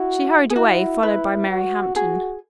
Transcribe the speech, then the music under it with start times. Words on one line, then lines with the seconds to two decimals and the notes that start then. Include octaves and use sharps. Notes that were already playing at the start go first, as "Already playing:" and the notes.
She hurried away, followed by Mary Hampton.
Already playing: E4 F#4
0.50 G#4
0.56 E4 F#4
1.03 E4 B4
1.49 F#4
1.96 F#4 G#4